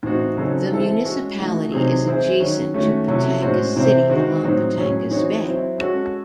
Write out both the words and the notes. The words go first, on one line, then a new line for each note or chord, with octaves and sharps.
The municipality is adjacent to Batangas City, along Batangas Bay.
A2 E3 C4 D#4 F#4
C#3 F#3 C4 D#4 A4
E3 C4 E4 A4
G#3 C#4 F#4 C#5
E3 A3 D#4 F#4
C3 F#3 C4 D#4 G#4
E3 C4 E4 G#4 C5
D#3 F#3 C#4
D#3 A3 C#4 F#4
C3 F#3 C#4 E4 A4
A2 G#3 C#4 F#4 C5
C3 E3 C4 E4 C5
D#3 G#3 C4 F#4
A2 F#3 C4 D#4
A2 F#3 C#4 G#4
E3 C4 D#4 F#4 C#5
F#3 C4 E4
G#3 C#4 F#4 A4